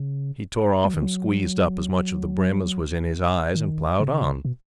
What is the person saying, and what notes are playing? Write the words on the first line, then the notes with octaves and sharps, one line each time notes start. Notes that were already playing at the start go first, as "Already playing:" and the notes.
He tore off and squeezed up as much of the brim as was in his eyes and ploughed on.
Already playing: C#3
F#3
D#3
F#3
D#3
C#3
B2